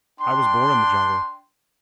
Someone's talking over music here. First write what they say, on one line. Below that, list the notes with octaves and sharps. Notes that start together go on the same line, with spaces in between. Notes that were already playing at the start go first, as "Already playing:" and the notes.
I was born in the jungle.
D4 G5 C6